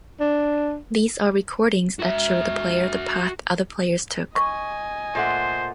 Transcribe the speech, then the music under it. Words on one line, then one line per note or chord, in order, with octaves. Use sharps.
These are recordings that show the player the path other players took.
D4
F#4 E5
D#5 G#5 C#6
A#2 A3 C5 F#5